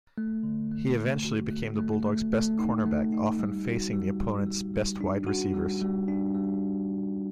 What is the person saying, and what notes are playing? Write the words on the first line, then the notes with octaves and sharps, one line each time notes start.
He eventually became the Bulldogs' best cornerback, often facing the opponents' best wide receivers.
A3
D3
A3
A3
F#4
A3
A3
A3
A3
D#4
A3
D#4
G3
F#4
G3
G3
G3
G3
D4
F#4
G3
G3
D4
G3